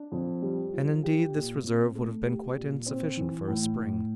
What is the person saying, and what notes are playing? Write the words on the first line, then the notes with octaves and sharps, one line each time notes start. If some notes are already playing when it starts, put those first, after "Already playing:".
And indeed this reserve would have been quite insufficient for a spring.
Already playing: D4
F2
G3
F3
G4
A#2
C4
A3
G4
A#2
C4
E3
A2
A2